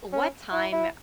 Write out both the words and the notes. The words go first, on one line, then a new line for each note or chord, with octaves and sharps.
what time
C#4
E4
E4